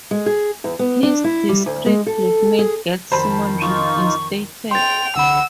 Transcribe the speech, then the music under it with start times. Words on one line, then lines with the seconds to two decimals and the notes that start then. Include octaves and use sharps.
His discreet blackmail gets Simon reinstated.
0.11 G#3
0.26 G#4
0.64 E2
0.79 B3
1.03 D4
1.24 E4
1.49 G3
1.66 D2
1.86 G#3
2.06 A4
2.59 G#4
3.12 F2 D#3 C5 A5 B5
3.61 D#4 F4 C#6
4.71 G5 C6 A6 F7
5.16 C2 D3 F#5 B5 E6